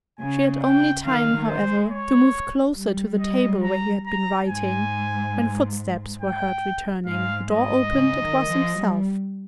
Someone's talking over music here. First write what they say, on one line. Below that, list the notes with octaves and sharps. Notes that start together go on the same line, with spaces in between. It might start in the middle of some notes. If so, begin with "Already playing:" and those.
She had only time, however, to move closer to the table where he had been writing, when footsteps were heard returning; the door opened, it was himself.
C#3 G#5
G5
D#3 F5
D#3
C5
G#3
C#5
G3
D#5
A#5
A#5
G#2 G#5
G5
G#2 F5
G#2 D#5
C#3
D#3
F3
G3